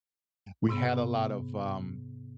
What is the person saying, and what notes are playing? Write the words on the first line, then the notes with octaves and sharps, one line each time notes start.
we had a lot of, um,
G#2 C3 B3